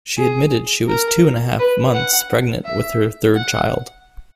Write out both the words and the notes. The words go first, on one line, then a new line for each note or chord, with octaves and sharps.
She admitted she was two-and-a-half months pregnant with her third child.
G#4
A#4
B4
F#5
E5
F#5